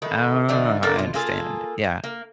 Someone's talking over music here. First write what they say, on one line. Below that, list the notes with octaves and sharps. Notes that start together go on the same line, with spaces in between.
Oh, I understand. Yeah.
D#3 A3 B4
D3 E3 F3 D#4
A#3 D4 A4 A#4
B2 F4
A#3 F4 G#4 A4
A#3